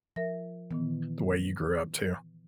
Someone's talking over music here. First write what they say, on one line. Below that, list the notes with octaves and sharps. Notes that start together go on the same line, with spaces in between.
the way you grew up too,
F3 A#4 E5 A#6
A#2 D#3 E3 B3